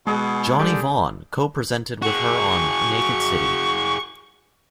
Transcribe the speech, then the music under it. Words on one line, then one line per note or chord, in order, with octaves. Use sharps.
Johnny Vaughan co-presented with her on "Naked City".
B2 G#3 G#4 F#5
D3 G3
F#4 G#4 C#6